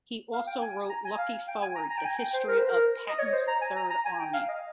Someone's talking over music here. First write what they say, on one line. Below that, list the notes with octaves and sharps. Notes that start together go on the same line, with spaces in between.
He also wrote Lucky Forward: The History of Patton's Third Army.
F5
G5
G#5
A#5
G#5
F5
G5
G#5
A#5
A#5
G5
G#5
G5
C5
A#4
C5
A#4
D#5
C#5
C5
A#5
G#5
A#5
A#5
G#5
G5
F5
D#5